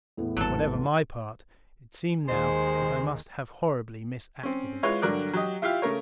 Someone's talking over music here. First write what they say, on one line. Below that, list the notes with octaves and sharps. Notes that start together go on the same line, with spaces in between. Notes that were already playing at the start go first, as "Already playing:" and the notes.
Whatever my part, it seemed now that I must have horribly misacted it.
E2 A2 B3
G#1 F#3 A4
D#2 D#3 G#3 C5
C4 C#4
G#3 E4 F4 B4 C#5
G2 D3 F#3 A#4 D5 F#6
F#3 G4 D#5
E4 F4 G4 E5 F5
C#3 A3 A#4 C#5